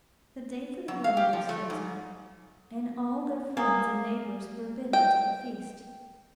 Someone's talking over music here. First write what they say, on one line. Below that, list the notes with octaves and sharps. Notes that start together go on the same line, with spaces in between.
The day for the wedding was chosen, and all their friends and neighbours were bidden to the feast.
F#3
F5
G4
F3
A3
G#2
A#3 G#5 A#5 D#6
G5